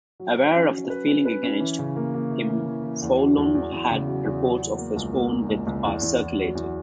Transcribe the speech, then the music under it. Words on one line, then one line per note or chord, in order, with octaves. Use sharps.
Aware of the feeling against him Foullon had reports of his own death circulated.
F#3
F#3
C#4
F#3
B4
C#4
B4
C#4
E3
C#3
A#3
A#3
E3
E3
E3
E3
E2
F#3
E2
E2
E2
C#3
F#3
E2
F#3
F#3
A#3
C#2
A#3
A#3
C#2
C#2
E2
E2
E2
F#3
E2